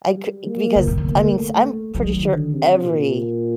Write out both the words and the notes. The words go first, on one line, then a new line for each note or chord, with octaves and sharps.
I c because, t I mean, s I'm pretty sure every
G3
A#3
D3
C3
D3
A#3
A3
D#3 F#3
D3
C3
A#2